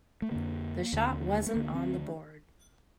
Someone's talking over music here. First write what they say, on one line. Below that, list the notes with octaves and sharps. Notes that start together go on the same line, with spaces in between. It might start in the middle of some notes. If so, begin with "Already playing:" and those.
The shot wasn't on the board.
A3
F2 D3 A#3
D#2 D3
A3
D2 D3 A#3
C4